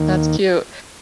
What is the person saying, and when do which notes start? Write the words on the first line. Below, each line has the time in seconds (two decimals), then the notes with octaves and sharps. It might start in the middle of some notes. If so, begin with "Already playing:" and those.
That's cute.
Already playing: D#2 D#3